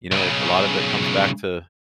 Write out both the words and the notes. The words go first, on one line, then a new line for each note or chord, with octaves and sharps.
You know, a lot of it comes back to
B1 C#3